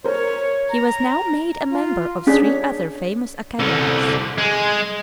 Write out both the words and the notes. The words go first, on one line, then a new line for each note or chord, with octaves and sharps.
He was now made a member of three other famous academies.
A#4 C5 C#5
A#5
F4
C#4 D4 G#4 B6
C#5
C2 D3
G#3